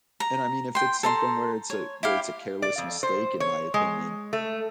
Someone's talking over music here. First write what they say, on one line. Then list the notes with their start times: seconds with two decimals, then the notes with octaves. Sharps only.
and I mean, if it's something where it's a where it's a careless mistake in my opinion,
0.20 A#5
0.75 G5 C6
1.03 A4 A#5 C6
1.70 C#5
2.03 E4 G4 F5
2.62 D5
2.78 F2
3.03 C5
3.40 C#5
3.74 G#3
4.33 A3